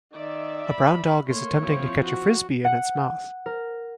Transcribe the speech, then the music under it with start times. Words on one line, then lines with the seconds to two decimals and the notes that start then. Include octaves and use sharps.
A brown dog is attempting to catch a Frisbee in its mouth.
0.14 D#3 D5 E5
0.69 B5
1.29 A3 A#3 C#5 C6
1.60 F3 C4 E4
2.04 F#4
2.65 F#5
3.46 A#4